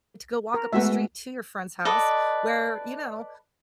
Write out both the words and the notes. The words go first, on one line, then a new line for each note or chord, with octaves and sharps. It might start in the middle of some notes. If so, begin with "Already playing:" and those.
to go walk up the street to your friend's house where, you know
A#4
G#3 A3 B3 F#4 E5
A4 B4 D5 D#5